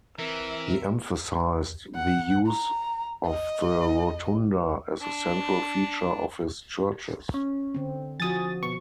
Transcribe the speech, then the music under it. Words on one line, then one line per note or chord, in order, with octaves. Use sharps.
He emphasized the use of the rotunda as a central feature of his churches.
E3 C4 A#4 E5
F#5
A#5
D#5
D4
C#4
D3 C4
F3 F#4 G#5 D#6 A6
B2 C#6